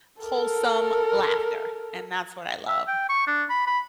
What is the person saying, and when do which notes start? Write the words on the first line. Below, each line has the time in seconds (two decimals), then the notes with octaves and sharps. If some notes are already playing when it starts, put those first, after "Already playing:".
wholesome laughter, and that's what I love.
0.22 A4 A#4
2.68 E5
2.88 G5
3.09 C#6
3.28 D4
3.50 B5
3.67 B5